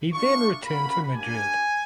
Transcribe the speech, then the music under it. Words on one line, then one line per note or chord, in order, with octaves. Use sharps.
He then returned to Madrid.
A3 D4 F4 C#6
A#3 C#4 F#4 B5
A#3 D4 G4 G#5